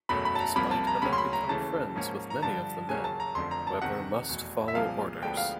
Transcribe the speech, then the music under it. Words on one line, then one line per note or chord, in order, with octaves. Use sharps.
Despite having become friends with many of the men, Weber must follow orders.
F#1 E2 B2 F#3 A3 B5
B5
A5
A#5
C2 C3 F3 A#3 B5
A5
A#5
D2 C#3 F#3 A#3 C#4 B5
C6
B5
A#5
D#2 C#3 E3 A3 A5
G#2 F3 A#3 C#4
A#5
G2 D3 F3 A5
D#2 C#3 F#3 A#3 C#4 G#5
A5
A#5
F1 F2 D3 F3 C6
A#5
A5
E2 C3 D#3 F#5
F1 E2 B2
E5
C2 A#2 F3 G#3 F5
D2 D3 F3 G#3 B3 G5
F5